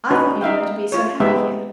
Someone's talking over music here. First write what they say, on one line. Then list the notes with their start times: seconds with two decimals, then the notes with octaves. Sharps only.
"I thought you were to be so happy here."
0.11 C#4 D#4 F#4 B4
0.41 D#4 E5 F5 G5
0.92 F4 C#5
1.20 G#3 B3 C4 D#4 G4 E5